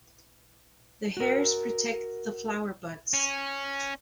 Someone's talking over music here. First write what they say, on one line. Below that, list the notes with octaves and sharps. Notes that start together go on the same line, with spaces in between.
The hairs protect the flower buds.
F#4 A#4
C#4